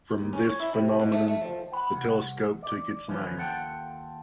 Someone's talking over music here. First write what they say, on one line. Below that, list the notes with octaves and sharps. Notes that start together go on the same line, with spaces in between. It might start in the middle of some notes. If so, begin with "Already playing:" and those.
From this phenomenon the telescope took its name.
D#2
C#4
C#5
E4
C3
G#2
A3
A3
F3
F#5 B5
C2 F#5
D5
D3 E3 F3 B3 C#4
D#2 F4 A4 F#5 G5